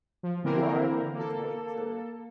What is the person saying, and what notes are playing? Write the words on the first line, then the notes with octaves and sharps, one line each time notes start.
you are goin it's going to,
F3
D3 E3 A#3 C4 E4 A#4
A#3 A4